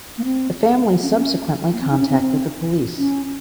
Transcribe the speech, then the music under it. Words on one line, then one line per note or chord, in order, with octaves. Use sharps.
The family subsequently contacted the police.
A#3
C4
C#4
C4
C#4
A#3
C4
D#4
C#4
C4
C4
C#4